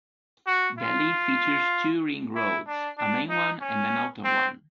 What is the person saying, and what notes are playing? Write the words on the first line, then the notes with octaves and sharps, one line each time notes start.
Delhi features two ring roads, a main one and an outer one.
F#4
F4
E4
D4
D4
D#4
C#4
C4